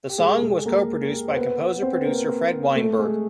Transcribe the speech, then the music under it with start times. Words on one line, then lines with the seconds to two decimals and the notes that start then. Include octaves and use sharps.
The song was co-produced by composer-producer Fred Weinberg.
0.09 G4
0.18 G#3 G#4
0.35 A4
0.43 G#3 G#4
0.66 A#3 A#4
1.30 C5
1.36 B3 B4
1.59 B3 B4
1.82 C4 C5
1.95 B4
2.06 A#3 A#4
2.76 A3 A4
2.99 G#3 G#4